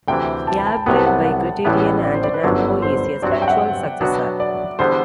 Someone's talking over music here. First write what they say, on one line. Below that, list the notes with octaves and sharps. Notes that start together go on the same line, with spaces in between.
Airblade by Criterion and Namco is a spiritual successor.
D2 C3 E3 G5
A5
B5
A5
A5
C2 C3 F#3 B3 G5
A5
F#5
F#5
A1 A2 E3 G3 B3 E5
D5
C5
D5
B4
G1 F#2 D3 F#3
C5
G2 F#3 C4 F#4 D5
E5
G5
F#5
E5
B2 F#3 B3 D4 F#4
D5
E2 D3 G3 B3 C5